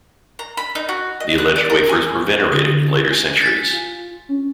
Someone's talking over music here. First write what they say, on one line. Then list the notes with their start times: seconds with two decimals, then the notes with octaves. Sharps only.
The alleged wafers were venerated in later centuries.
0.39 A#5
0.57 B5
0.75 D#4
0.89 F#4
1.20 D#5
1.38 F#6
1.56 D5
1.70 A#4
1.89 G#5
2.52 D3 D#6
3.10 G#5
3.41 A6 B6
3.73 F4
4.29 C#4